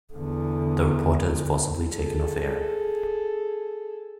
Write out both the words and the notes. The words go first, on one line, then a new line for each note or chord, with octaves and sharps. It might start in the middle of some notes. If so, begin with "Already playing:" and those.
The reporter is forcibly taken off air.
E2 D3
G#4 A4